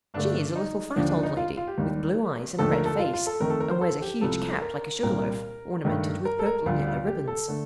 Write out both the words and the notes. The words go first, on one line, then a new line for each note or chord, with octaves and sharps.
She is a little fat old lady, with blue eyes and a red face, and wears a huge cap like a sugar-loaf, ornamented with purple and yellow ribbons.
G2 D3 A3 D4
D#4
D#2 D3 F3 D4
D4
D#4
F4
F4
G4
D#2 D#3 G3
D#2 D3 F3 A3 A4
A#4
A4
F4
F4
A4
F2 D#3 A3 A#4
A4
A#4
C5
A4
G4
C2 C3 F3 A4
A#4
C2 A#2 G3 A#4
G2 D#3 A3
A#4
A4
A#4
D2 D3 G3 F4
F4
G4
A4
D3 A3